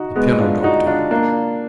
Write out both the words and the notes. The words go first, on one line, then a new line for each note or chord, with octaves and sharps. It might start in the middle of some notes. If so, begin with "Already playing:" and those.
The "Piano Doctor."
Already playing: D#4 F#4
G#3 B3
D4 F4
D#4 F#4
D4 F4
A#3 D4